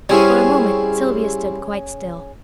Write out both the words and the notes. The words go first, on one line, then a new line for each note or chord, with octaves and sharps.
For a moment Sylvia stood quite still.
G3 C4 C#4 E4 G#4 C#5